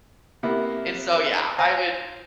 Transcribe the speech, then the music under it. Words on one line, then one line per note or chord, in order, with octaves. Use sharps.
and so, yeah, I would
C3 A#3 B3 E4
C5 F5 G#5 A#5